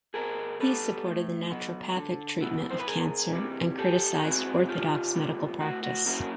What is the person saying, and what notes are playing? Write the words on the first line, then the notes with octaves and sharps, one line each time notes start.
He supported the naturopathic treatment of cancer and criticized orthodox medical practice.
B2 G#4 A#4
G3 B3 A4 B4
A2
F#3 B3
D3
F#3 B3 E4
C5
B4
F2 G#4 A#4
C3 E3 G3
E2 G4 A4
B2 G#3 C4 E4 F#4 G#4
C#3 F4 G4
E3 G3 B3
A2 F#4
F#4
F#3 A#3 C#4 E4 F#4